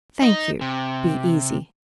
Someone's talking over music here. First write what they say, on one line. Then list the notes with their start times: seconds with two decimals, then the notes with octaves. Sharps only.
Thank you; be easy.
0.22 D#4
0.61 C3